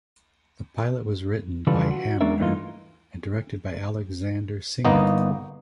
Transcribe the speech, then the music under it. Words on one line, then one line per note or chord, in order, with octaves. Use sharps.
The pilot was written by Hamner and directed by Alexander Singer.
C#3 E3 G3 F4 A4 B4
F#4
G#3 C#4 D4 G#4 A#4 E5
G2 E3 A3 A#3 D#4 F4
G1 A#3 B3 D#4 D#5